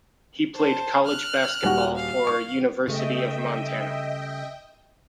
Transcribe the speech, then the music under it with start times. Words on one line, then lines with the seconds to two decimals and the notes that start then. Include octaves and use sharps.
He played college basketball for University of Montana.
0.56 C5 A5
1.06 F6 F#6
1.63 D#1 G3 F#4
1.96 F5
2.27 C#6
2.88 C#3 G3 A3 D#5 E5 G5